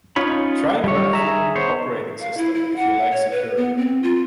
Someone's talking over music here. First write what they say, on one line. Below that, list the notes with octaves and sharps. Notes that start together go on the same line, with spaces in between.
Try Graphene Operating System, if you like security.
C#4 D#4 F4 C#5 B5
G3 C#5
G#4 E5 A#5
B3 C5 C#5
F5
E4
E4
F#5
C#5
B4
B3
C4
F4